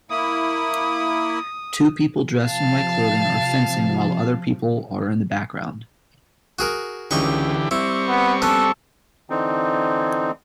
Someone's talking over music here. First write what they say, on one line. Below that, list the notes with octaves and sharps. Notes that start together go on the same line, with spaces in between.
Two people dressed in white clothing are fencing while other people are in the background.
A#3 E4 D#6
C3 F3 F5 A5
F#4 G#4 A#4
C#2 D3 E3 D#4 G4 C#6
G3 C4 E4 C#6
B3
B3 C#4 A4
D3 E3 C4 D#4